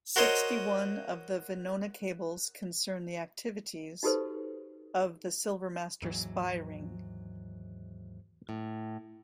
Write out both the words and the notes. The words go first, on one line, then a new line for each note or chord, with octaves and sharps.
Sixty-one of the Venona cables concern the activities of the Silvermaster spy ring.
F#4 A#4 C5 C#5 D#5
D#4 F#4 G4 A4 B4 C5
D#2 G#2 E3 F#3
A2